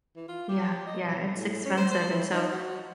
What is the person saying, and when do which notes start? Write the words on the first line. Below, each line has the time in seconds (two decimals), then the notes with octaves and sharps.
Yeah, yeah it's expensive, and so
0.16 E3
0.28 F4
0.49 G4
0.87 D#5
1.06 B2
1.35 A2
1.65 C#4
1.77 C5
1.91 C5
2.11 E3
2.32 D#4
2.52 F#4